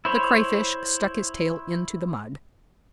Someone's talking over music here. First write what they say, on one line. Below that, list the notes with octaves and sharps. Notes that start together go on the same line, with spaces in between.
The Crayfish stuck his tail into the mud.
E4 C5 C#5 B5